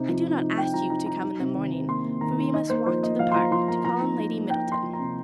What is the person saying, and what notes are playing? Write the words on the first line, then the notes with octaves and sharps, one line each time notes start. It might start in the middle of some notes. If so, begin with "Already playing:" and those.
"I do not ask you to come in the morning, for we must walk to the park, to call on Lady Middleton."
Already playing: C3 D#4
F3
D#4
D#4
D#4 G5
F3 A#5
D#4 A#5
D#4 A#5
D#4
C3
D#3
D#3
A#3 C6
A#3
D#3 A#5
D#4
D#4 D#5
A#3 C5
F3 C5
A#3 D#5
F3 F5
C6
F3 A#5
F3 C6
A#3 A#5
F3 A#5
D#4
D#4
A#3
D#4 G5
D#4
C6
F3
A#5
C3